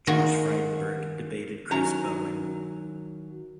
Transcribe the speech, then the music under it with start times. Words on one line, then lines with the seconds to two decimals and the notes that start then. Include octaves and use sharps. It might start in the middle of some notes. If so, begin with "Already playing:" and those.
Josh Frydenberg debated Chris Bowen.
0.07 D#3 F4 F#4 G#4
1.71 D#3 F#3 C#4 E4 A#5